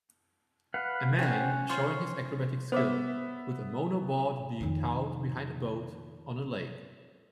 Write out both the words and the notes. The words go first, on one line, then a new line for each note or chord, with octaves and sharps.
A man showing his acrobatic skill with a monoboard being towed behind a boat on a lake.
B4 F5 F#5
C#4 G4 C5 C#5 F#5
F4 C5 C#5 C#6
B3 C5 C#5 E5 D6
F2 D#3